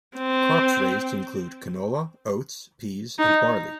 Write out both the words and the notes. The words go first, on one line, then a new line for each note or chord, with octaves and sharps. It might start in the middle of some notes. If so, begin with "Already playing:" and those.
Crops raised include canola, oats, peas and barley.
C4
D#4